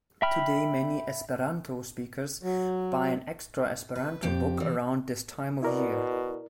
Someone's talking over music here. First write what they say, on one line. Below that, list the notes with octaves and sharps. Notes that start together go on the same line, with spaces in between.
Today, many Esperanto speakers buy an extra Esperanto book around this time of year.
E5 G5 B5 F6
F#3
B4
F2 F3 G4 G5
E3 F#4
B2 E4 A#4 D5